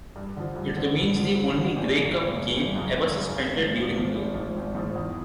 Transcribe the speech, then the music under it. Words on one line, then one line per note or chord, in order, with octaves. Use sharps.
It remains the only Grey Cup game ever suspended during play.
G2
D3 F3
G2
D3 F3
G2
D3 F3
G2
D3 F3
G#1
F#2 C#3
G#1
F#2 C#3
G#1
F#2 C#3
G#1
F#2 C#3
G#1
G#2 F3
G#1
G#2 F3
G#1
G#2 F3
G#1
G#2 F3
E2